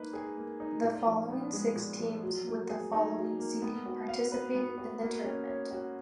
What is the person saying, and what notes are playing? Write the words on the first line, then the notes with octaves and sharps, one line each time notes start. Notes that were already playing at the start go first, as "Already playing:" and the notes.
The following six teams with the following seeding participated in the tournament.
Already playing: A#3 D#4 B4
G#4
A#3
D#4
A#2
F3
B3
G#3
A#2
F3
F#3
A#3
G#4
D#4
F#3
A#3
B3
F#4
F5
B4
B3
F#4
A#3
C#4
C#5
F#4